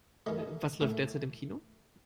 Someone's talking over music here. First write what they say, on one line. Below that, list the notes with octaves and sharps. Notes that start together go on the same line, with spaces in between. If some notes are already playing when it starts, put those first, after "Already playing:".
Was läuft derzeit im Kino?
G2 D#3 A3 D#5
A2 A3